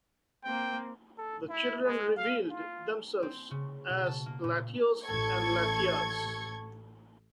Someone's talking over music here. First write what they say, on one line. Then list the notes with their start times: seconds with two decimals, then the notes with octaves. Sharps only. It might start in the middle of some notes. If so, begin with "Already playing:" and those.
The children revealed themselves as Latios and Latias.
0.45 A#3 C4 G5
1.18 A4
1.49 E4
1.84 G#3
2.16 F5
2.50 F4
3.23 C4
3.51 C#3
3.89 B2
4.06 A5
4.26 A#3
4.44 A#2
5.06 A1 A4 C#6 G#6